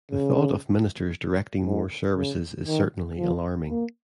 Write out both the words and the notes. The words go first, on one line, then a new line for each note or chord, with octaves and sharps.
The thought of Ministers directing more services is certainly alarming.
C#3
G#2
C#3
D#3
F3
A#3